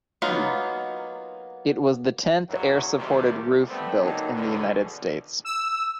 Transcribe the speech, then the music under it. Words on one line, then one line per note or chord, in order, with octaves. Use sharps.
It was the tenth air-supported roof built in the United States.
F#3 A#3 B3 D#4 F4
E2 G2 F#3
G#1 D#2 C3 D#3 G3 A3
G3 A3 B3 C4
D3 F#3 A#3 D#4
E2 B2 D3
E6